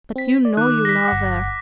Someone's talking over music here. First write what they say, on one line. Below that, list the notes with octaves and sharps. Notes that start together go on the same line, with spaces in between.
"But you know you love her."
C4 B6
D5
D#3 D6 F#6
A#6 B6
G1 F#5